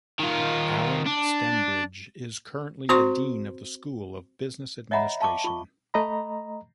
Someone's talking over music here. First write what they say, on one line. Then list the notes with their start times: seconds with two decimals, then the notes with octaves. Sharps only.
Allen Stembridge is currently the dean of the School of Business Administration.
0.19 D#3 F4
1.07 D4
2.89 C4 F#4 C5 C6 C#6
4.91 C#5 D#5 E5 F#5 A#5 B5
5.20 F5 A5 C#6 D6
5.44 F4 C#6
5.94 A3 D#5 A#5 B5